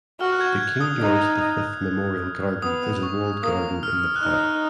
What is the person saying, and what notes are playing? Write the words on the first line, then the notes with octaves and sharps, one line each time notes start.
The King George the Fifth Memorial Garden is a walled garden in the park.
F#4 F6
F#6
G#6
G#6
D#6
D#4
B3 D#6
C#6
A#3 D#6
F6
F#6
D#4 F6